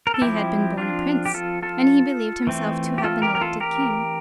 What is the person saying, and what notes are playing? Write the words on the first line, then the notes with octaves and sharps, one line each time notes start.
He had been born a Prince, and he believed himself to have been elected King.
A#4
A4
F3 C4 E4 G4
D4 F4
G4
F4 A4
F4 A4
E3 A3 C4
G4
F4 A4
G4 A#4
A#4
F4 A4
G4 A#4